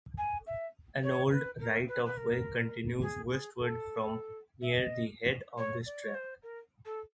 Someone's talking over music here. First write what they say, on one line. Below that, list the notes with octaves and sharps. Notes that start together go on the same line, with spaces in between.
An old right of way continues westwards from near the head of this track.
G#5
E5
C#5
B4
A#4
B4
B4
A#4
G#4
G#4
A4
E5
D#5
C#5
D5
C#5
C5
A#4
A4